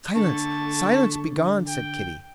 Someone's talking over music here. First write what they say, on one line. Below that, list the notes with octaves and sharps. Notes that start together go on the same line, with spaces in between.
"Silence, silence, begone!" said Kitty.
D3 A4 A5 C#6
G5